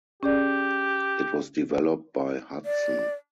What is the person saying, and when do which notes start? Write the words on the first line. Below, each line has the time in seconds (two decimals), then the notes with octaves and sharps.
It was developed by Hudson.
0.23 C#4 G4 G#4 D5
2.65 D5